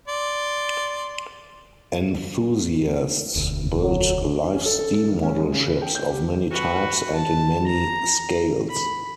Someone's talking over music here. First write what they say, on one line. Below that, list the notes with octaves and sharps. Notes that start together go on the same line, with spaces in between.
Enthusiasts build live steam model ships of many types and in many scales.
D5 C6
E1 D2
F#3
C#4
A4
A4
A4
D#3
C#4
G#3
C#3
B4
G5
G6
G4
F#4 B4
A5
A#5
B5